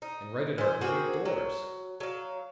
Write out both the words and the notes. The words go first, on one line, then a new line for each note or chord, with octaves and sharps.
And right at our very doors!
D#4
E3 C5
A#3 C4 F#4 G#4
F#3
F#3 F5